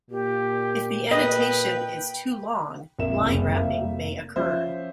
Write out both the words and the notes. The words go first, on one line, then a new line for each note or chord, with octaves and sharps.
If the annotation is too long, line wrapping may occur.
A#2 G4
B4 D#5 G5
A#1 F2 A#3 E5 E7
F#1 C2
F1 A#3 E5 F5
F3 C#4 F4 C5 E5